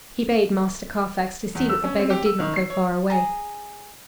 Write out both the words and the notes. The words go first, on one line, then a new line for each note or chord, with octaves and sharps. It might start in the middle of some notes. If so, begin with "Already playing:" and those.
He bade Master Carfax to see that the beggar did not go far away.
E2
E6
C#4
C4
G4
E6
D#3
C7
C#5
G#4 A#5